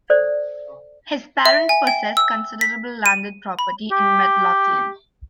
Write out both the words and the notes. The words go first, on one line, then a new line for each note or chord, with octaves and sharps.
His parents possessed considerable landed property in Midlothian.
A4 C5 D5
E5
G#5
G5
E6
B6
D#7
B5
G4